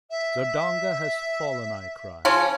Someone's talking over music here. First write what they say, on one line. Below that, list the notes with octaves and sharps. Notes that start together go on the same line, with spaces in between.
"Zodanga has fallen," I cried.
E5
C#3 F3 C#4